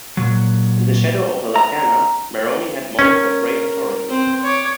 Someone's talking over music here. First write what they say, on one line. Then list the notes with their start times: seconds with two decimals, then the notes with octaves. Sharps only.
In the shadow of the "Lanterna", Meroni had moments of great notoriety.
0.17 A#2 F#3
1.56 A#5
2.99 C#4 A#4
4.09 C4 C5
4.43 C#5 D6